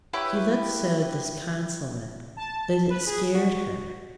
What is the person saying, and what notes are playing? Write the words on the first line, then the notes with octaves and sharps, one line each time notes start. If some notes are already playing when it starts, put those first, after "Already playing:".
He looked so disconsolate that it scared her.
E4 G4 B4 C#5
A5
B4
G#4
F#4